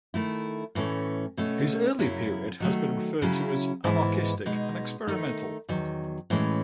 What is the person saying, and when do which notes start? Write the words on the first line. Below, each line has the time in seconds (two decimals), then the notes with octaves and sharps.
His early period has been referred to as ", anarchistic and experimental".
0.14 D#3 A3 E4
0.75 A2 E3 A3 C#4
1.37 B2 A3 C#4
1.99 F#2 C#3 F#3 C#4 E4
2.60 D#3 F#3 A3
3.22 C#3 F#3 C#4 E4
3.84 G#2 E3 G#3 B3 E4
4.46 B2 G#3 D#4
5.07 D#3 A3 D#4
5.69 E2 D#3 F#3
6.30 A2 E3 G#3 C#4